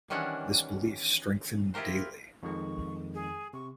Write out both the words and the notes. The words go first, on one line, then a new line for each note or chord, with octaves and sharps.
This belief strengthened daily.
D#3 E3 G3 C#4 D4 F#4
E4 F4 G4 A#4 C5
F2 D#3 G#3 C#6
G#4
C3 C#6